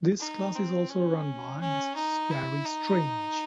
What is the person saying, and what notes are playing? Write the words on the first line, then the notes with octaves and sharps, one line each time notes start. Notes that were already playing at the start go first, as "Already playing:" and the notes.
This class is also run by Mrs. Cari Strange.
D#4
C4
C#4
C#4
D#4
E4
D#4